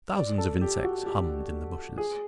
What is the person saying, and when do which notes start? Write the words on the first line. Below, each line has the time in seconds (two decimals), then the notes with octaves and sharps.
Thousands of insects hummed in the bushes.
0.16 D5
0.38 A4
0.61 G4
0.84 F#4
1.06 G4
1.98 G#4